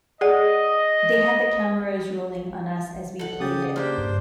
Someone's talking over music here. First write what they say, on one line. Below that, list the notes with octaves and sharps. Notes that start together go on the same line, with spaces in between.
They had the cameras rolling on us as we played it.
G#4 D5 D#5 F#5
A4 F#5
C#3 G4 D#6 A6
A#3 D4 G4 C5
G2